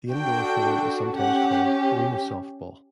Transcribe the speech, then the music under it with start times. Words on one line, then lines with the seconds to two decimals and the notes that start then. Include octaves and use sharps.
The indoor form is sometimes called Arena Softball.
0.10 D4 F#4 A4 G5
1.16 C#4 G4 F#5